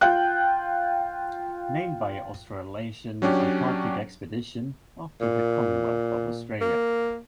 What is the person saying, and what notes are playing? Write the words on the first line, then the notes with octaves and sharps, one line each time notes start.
Named by Australasian Antarctic Expedition after the Commonwealth of Australia.
F4 G5 F#6
F#3 C#4 D4 G4
A#2
A#3